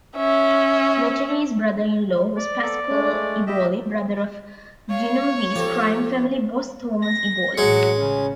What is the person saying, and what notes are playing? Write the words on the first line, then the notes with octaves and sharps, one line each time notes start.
Lettieri's brother-in-law was Pasquale Eboli, brother of Genovese crime family boss Thomas Eboli.
C#4 E5
D5
B3 A4
G#3 A3
G4 D#5 E5
C#5 F5
F3 G4 A4
A#6
A1 F#3 G#3 C#7
C#3 C#4